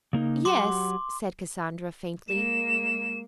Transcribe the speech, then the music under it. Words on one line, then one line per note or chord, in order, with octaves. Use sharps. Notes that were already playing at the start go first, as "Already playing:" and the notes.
"Yes," said Cassandra, faintly.
C#3 A#3 D#4
F#3 G4 F#5 C6 D6
G#3 A#3 E7